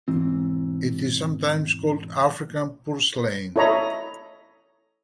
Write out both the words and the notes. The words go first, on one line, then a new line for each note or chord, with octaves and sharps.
It is sometimes called African purslane.
E1 G#2 E3 C4
E4 A4 C#5 D#5 A#5 B5